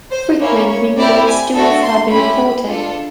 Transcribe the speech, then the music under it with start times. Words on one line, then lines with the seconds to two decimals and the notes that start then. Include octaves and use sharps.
Frequent mucoid stools have been reported.
0.11 C5
0.40 A#3 C#4 E4 C#5
0.69 C#5
0.97 C4 E4 G4 D5
1.26 G#5
1.54 A3 D4 F#4 A4
1.82 C6
2.11 C#4 E4 G4 B5
2.68 D4 F4 A4